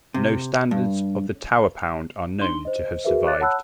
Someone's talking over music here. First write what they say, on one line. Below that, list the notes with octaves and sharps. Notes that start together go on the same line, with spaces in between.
No standards of the Tower pound are known to have survived.
C3
G2
D4 D#4 C6 G7
C5 D#5
F#4 G#4 A#4 B4 E5
C#5 D6 F#6 A6
C#5 F#5 A5 B5 E6 F#6